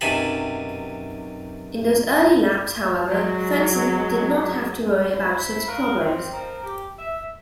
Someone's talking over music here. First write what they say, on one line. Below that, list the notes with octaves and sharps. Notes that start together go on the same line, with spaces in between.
In those early laps, however, Frentzen did not have to worry about such problems.
B1 F#2 C3 G#5 A5 B5
F#3 G#3
E4 C5 B5
A#4 B4 C#5 F5 A#5
D#3 G3 C4
F3 C4 A#4
G4
E5